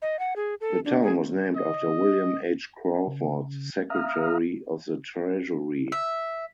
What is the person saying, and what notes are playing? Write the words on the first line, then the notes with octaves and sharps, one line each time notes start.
The town was named after William H. Crawford, Secretary of the Treasury.
D#5
F#5
G#4
A4
D4
G#4
D#5
C#3
E5 F5 A#5 D#6 F6
E5